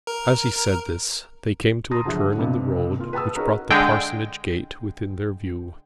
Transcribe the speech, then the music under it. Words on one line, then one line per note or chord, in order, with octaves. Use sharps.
As he said this they came to a turn in the road which brought the parsonage gate within their view.
A#4
A5 A#5 C6 D#6 A#6
D3 F3 F#3 E5 F#6
B1 G2 C3
D#1 F4
B4 G5 A5 D#6 E6
C#4 D#4 F#4 G#4 A#4 B4
D3 G#3 G5